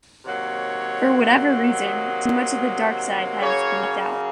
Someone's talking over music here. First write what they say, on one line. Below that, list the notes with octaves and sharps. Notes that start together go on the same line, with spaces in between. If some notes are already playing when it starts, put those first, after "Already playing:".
For whatever reason, too much of the dark side has been left out.
C3 D#3 F#3 A#3 C#5
D#5
C#3 F#3 A#3 C#5